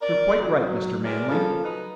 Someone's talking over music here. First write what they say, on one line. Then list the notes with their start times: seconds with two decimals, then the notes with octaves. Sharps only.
You're quite right, Mr. Manley.
0.02 A#4 D5
0.41 A#2 D3 F#3
0.59 F#3
1.04 G#3 B3 A#4 D5
1.29 C#3 F3 A#3 F4 A4
1.64 F#3 D#4 B4